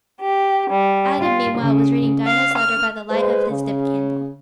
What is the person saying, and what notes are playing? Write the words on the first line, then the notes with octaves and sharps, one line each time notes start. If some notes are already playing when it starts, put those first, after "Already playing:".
Adam, meanwhile, was reading Dinah's letter by the light of his dip candle.
G4
G3
F4
C#3
F5
F6
G#3 B4 C5
C#3